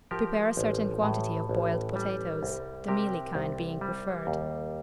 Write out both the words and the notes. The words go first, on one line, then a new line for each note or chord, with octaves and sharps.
Prepare a certain quantity of boiled potatoes, the mealy kind being preferred.
F3 G4 A#4
A1
A2
A1
G3
C2
C3 G4 A#4
C2
G3
D#2